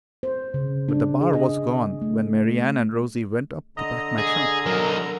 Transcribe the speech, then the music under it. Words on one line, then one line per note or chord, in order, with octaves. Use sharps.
"But the bar was gone when Mary Anne and Rosie went up to pack my trunk."
C5
C#3
D4
G#4
D#5
A3
D3 D#5 A#5
G#4
F#3 A#4 D#5